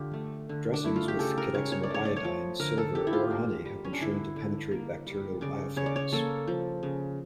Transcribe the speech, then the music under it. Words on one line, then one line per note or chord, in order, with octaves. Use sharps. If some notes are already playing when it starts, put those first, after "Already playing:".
Dressings with cadexomer iodine, silver, or honey have been shown to penetrate bacterial biofilms.
Already playing: D3 F4 G4
A3
D3
D4
A3 E4
F4
G4
C#3 A4
A#4
C#3 C#5
C#5
D5
A3 C#5
D5
C#5
F3
D3 A#4
A4
D3 G4
E4
F4
A#3
G3
C#4
D4
D3 E4
D3
A#3
G3
C#3 D5
C#3 C#5
D5
C#5
A#3 A4
F3
C#3